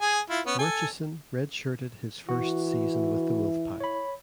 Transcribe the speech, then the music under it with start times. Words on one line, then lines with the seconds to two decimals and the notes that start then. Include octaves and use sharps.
Murchison redshirted his first season with the Wolfpack.
0.01 G#4 G#5
0.30 E4 F4
0.46 B3 C#4
0.59 A4 G#5
2.29 E3 E4 F#4
3.80 C#5 B5